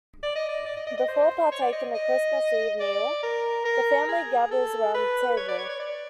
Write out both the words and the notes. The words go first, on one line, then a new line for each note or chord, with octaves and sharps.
Before partaking of the Christmas Eve meal, the family gathers around the table.
D5
D#5
D5
D5
D#5
D#5
D#5
C5
C#5
D5
D#5
D#5
D5
A#4
A#4
G#4
A4
B4
C#5
D5
C#5
C#5
D5